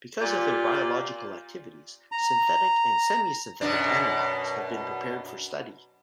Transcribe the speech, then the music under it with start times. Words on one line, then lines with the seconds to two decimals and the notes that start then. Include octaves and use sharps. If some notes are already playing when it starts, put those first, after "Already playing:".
Because of their biological activities, synthetic and semi-synthetic analogs have been prepared for study.
0.19 A#2 F4 G4
2.12 A#5
3.61 F#2 B2 D4